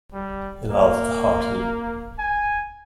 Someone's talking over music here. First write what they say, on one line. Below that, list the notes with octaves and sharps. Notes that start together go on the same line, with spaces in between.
He laughed heartily.
G3
A#3
G#5